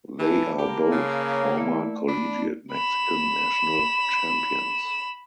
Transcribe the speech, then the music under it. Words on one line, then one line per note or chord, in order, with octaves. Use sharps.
They are both former collegiate Mexican national champions.
E3 A5 B5
A#3 G4
C#3
C#5
A3 E4 D5
D4 B5
B5 E7